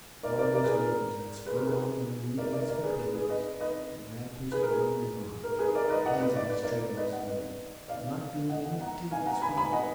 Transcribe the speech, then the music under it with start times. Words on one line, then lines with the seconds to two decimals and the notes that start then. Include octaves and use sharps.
Hard as nails and spurred on by the need of his companions, the lad pushed on and on, blazing his trail as he went, not feeling any fatigue to speak of.
0.23 A#4 D5
0.39 A#4 D5
0.54 A#4 D5
0.64 G#4 B4
0.75 A#4
0.85 A#4
1.46 G#4 B4
1.57 A#4
1.67 G#4 B4
2.38 A#4 D5
2.53 A#4 D5
2.68 A#4 D5
2.83 G#4 B4
2.99 G#4 B4
3.14 G#4 B4
3.29 B4 D#5
3.60 B4 D#5
4.52 G#4 B4
4.63 A#4
4.72 G#4
5.43 A#4
5.59 G#4 B4
5.75 A#4 D5
5.90 B4 D#5
6.05 D#5 F#5
6.20 B4 D#5
6.36 D5
6.50 B4
6.63 A#4 D5
6.97 B4 D#5
7.12 D#5 F#5
7.28 B4 D#5
7.88 D5 F5
8.49 D#5 F#5
8.65 D#5 F#5
8.80 F#5 A#5
9.11 F5 G#5
9.26 F#5 A#5
9.42 G#5 B5
9.57 G#5 B5
9.72 D#5 F#5